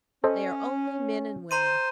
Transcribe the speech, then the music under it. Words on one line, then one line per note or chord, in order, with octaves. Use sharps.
They are only men and women.
C#4 A4 C5 D#5
C5 A#5 C6 D#7